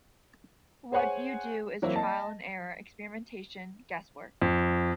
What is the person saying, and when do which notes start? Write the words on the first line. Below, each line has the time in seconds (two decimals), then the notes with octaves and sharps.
What you do is trial and error, experimentation, guesswork.
0.92 G#4 C5 C#5 F#5 G#5
1.82 E3 F#3 A#3 C4 E4
1.96 D#5 A5
4.42 F2